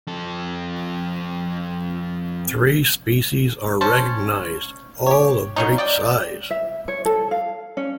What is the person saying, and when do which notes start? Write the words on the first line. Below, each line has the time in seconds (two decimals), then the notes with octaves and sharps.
Three species are recognized, all of great size.
0.07 F2 A4
3.81 C#4 C5 A5
5.06 G4 C#5
5.56 F#3 C#4 D#4
5.78 D5 D#5 G5
6.50 E5
6.88 C#5
7.05 A4
7.31 F5
7.77 C#4